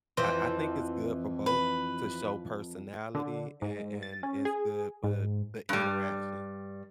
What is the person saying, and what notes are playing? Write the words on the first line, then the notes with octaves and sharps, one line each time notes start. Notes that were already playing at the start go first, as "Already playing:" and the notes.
I I think it's good for both to show personality, and and it's good for the interaction,
F2 E3 C5
B4
D3
G#2
A6
C#4
G#4
G#2
G2 G3